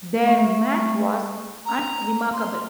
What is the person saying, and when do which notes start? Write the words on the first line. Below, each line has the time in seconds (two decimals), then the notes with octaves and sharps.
Their match was unremarkable.
0.22 A3
1.65 A#5
2.33 C6